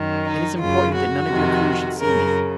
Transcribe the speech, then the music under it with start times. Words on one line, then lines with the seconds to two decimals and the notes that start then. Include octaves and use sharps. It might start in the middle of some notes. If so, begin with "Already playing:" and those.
"It is important that none of your crew should see me."
Already playing: F#2 D#3
0.24 D#4
0.60 F#2 C#3 F4
0.94 F#4
1.28 F2 C3 D#3
1.98 F#2 C#3 A#4